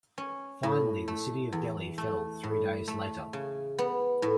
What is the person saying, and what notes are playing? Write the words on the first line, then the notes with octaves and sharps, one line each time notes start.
Finally, the city of Delhi fell three days later.
C#4
A2
A3
E2
A3
A2
A3
C#3
B3
A2